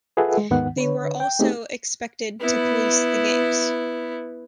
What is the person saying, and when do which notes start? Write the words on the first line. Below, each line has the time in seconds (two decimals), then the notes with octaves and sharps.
They were also expected to police the games.
0.17 F4 G#4 A4 B4 E5 F#5
0.38 G#3
0.50 D#2 G#2 D#3 B3 F#5
0.76 D3 B4 C#5
1.20 G5
1.39 A3 B3 C4 D#4 G4 G#4
2.40 B3 E4